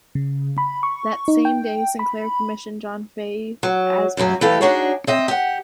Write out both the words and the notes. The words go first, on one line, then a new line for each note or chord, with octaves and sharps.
That same day Sinclair commissioned John Fahey as Premier.
C#3
B5
C#6
D#4
G5
B5
F#3
F#2 C#3 F3 F#3
E3 A3 G4 A4 F5
D4 D#4 F#4 G#4 C#5
C4 D#5 E5
G4 F#5